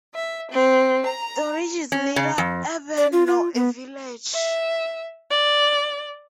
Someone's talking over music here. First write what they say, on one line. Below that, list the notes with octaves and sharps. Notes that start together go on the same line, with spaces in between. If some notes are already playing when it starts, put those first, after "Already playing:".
Dorridge is neither urban nor a village.
E5
C4
A#5
C#4
C#3
F2
D5
F4
F4
B3
E5
D5